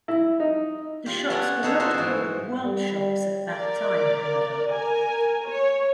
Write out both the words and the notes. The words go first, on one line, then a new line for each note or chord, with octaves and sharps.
The shops were not called worldshops at that time, however.
E4
D#4
F4 G4
B3 C#4 A4 C#5 D5 F#5
D#4 G#4 A4 B4 C#5 D#5
B3 F4 F#4 A4 C5 C#5
G#2 E3
G3
A#4 D5
A#4 G#5
C#5